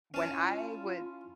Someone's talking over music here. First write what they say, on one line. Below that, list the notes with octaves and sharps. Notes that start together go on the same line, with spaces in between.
when I would
C#4 E4 F4 A5